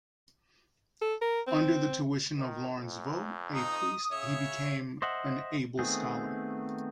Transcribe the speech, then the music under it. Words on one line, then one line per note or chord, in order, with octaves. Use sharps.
Under the tuition of Laurence Vaux, a priest, he became an able scholar.
A4
A#4
C4
D#3
F2
D#4 D#6
C#3 C#5 E5
C5 D#5 E5 F#5
D#3 A3 B3 C4 G#4